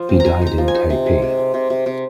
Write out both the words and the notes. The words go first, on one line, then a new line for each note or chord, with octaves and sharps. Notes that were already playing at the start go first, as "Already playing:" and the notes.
He died in Taipei.
Already playing: F3
C4
A#5
C4 G#5
D#4 A#5
F3
G#5
D#4
C3
G#3
C3
G#3
C3
C3
C3